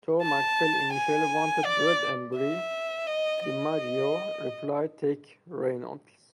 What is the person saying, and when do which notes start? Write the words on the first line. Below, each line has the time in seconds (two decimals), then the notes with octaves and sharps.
Though MacPhail initially wanted Red Embree, DiMaggio replied: Take Reynolds.
0.22 A5
0.93 G#5
1.65 D5
2.36 E5
3.07 D#5
3.43 D#5